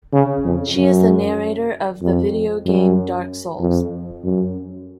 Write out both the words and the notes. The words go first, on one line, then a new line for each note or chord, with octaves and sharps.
She is the narrator of the video game Dark Souls.
C#3
F2
F#2
F2
F#2
F2
F#2